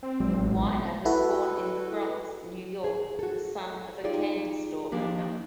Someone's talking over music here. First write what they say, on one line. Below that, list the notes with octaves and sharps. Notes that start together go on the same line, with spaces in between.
Weiner was born in the Bronx, New York, the son of a candy-store owner.
C4
B1 F#3 G#3
A1
E4 F#4 A4 B4
G#4
F#4 A4
D#4 F4 G4 G#4 D5
F3 A#3 D4 G4